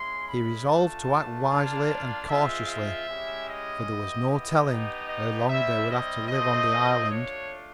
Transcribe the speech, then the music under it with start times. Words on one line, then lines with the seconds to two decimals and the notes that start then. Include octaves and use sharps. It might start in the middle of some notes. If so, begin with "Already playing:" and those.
He resolved to act wisely and cautiously, for there was no telling how long they would have to live on the island.
Already playing: G#3 C#4 E4 C6
0.27 B5
0.67 A3 D4 F4 A5
1.48 A#3 D4 F4
2.28 G#3 C4 F4 E5
2.68 E5
3.08 G#3 C#4 E4 G4
3.48 D#5
3.88 B3 E4 G4
4.28 D#5
4.68 B3 D#4 G4
5.08 D#5
5.48 G3 C4 E4 E5
5.89 D#5
6.28 A3 C4 F4 D#5
7.09 A3 D4 F4 C#5